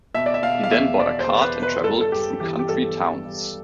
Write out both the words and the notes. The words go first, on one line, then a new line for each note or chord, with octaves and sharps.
He then bought a cart and travelled through country towns.
B2 E5
D5
E5
B2 F5
F5
E2 E5
B2 D5
C5
E2
B4
B2
B4
G2 A4
A4
G2 G4
E3 G4
G4
G2 A4
G2
G2